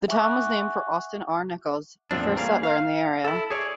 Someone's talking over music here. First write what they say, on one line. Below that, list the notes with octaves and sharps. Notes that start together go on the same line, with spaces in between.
The town was named for Austin R. Nichols, the first settler in the area.
E5 F#5 G#5 C#6 D6 F#6
E2 A2 F3 C4 D4
G3 A#3 C#4 G#4 F5
F5
E4 A4
G#4 C#5 D5